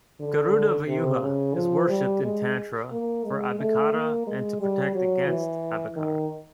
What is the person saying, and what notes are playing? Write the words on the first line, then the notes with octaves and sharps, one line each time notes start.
Garuda Vyuha is worshiped in Tantra for Abhichara and to protect against Abhichara.
D3
C3
C#3
F3
G3
G#3
A#3
G#3
A3
A#3
G#3
G3
F#3
E3
D#3